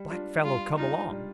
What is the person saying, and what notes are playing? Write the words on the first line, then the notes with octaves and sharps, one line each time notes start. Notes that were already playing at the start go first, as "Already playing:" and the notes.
"Black fellow come along."
Already playing: G3
D4 F4
G3 F4
D4 D#4 F4
G3